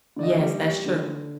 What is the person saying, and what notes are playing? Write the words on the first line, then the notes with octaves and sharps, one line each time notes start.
Yes, that's true.
D3 D5
D#5
G3
G3
D3
D3